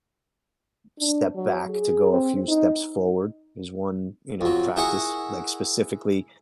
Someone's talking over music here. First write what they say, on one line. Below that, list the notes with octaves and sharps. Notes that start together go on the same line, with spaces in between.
step back to go a few steps forward is one, you know, practice like specifically
D4
F#3
G#4
C4
D#4
F2 F#3
E4 G#4 A#4 F#5 C#6